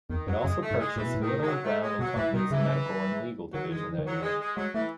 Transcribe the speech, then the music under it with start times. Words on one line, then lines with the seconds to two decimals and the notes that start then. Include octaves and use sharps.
It also purchased Little, Brown and Company's medical and legal division that year.
0.10 E2 D#3
0.27 F#2 F#3
0.39 F#3
0.44 F#2 G#3
0.62 A3
0.71 G#2
0.79 G#3
0.96 A2 E3
1.06 B2
1.15 A2
1.21 D#3
1.42 G#3
1.47 F#3
1.64 A3
1.82 G#3
1.99 B2 F#3
2.16 A2 E3
2.33 B2 D#3
2.51 C#3 E3
3.53 D#3 F#3
3.65 E3
3.71 D#3 G#3
3.87 E3
3.98 D#3
4.06 E3 F#3
4.20 D#3 G#3
4.40 G#3
4.56 F#3 G#3
4.74 E3 A3